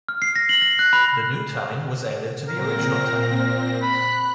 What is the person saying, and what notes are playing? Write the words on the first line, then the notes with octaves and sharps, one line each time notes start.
The new time was added to the original time.
F6
C7
A#6
F#7
A#6
F#6
B5
A#2 C4 A#4 A#6
B5 F#6